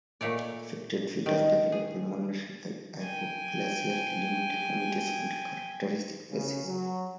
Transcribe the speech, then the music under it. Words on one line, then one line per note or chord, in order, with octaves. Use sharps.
Affected fetuses develop pulmonary hypoplasia, limb deformities, and characteristic facies.
A#2 A3 C#5 D5
D#3
G#4
G5 G#5
C#3
F#3